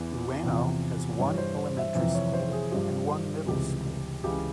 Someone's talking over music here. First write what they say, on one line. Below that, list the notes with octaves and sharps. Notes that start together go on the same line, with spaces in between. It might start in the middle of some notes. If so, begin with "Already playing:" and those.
Ueno has one elementary school and one middle school.
Already playing: E2 E3
E2 C3 F3
G2 E3 C#5
C5
C5
E5
F2 C3 E3 E5
C#5
C5
G#4
G2 F3 G4
C#2 C3 E3 G4
C#2 C#3 E3 G4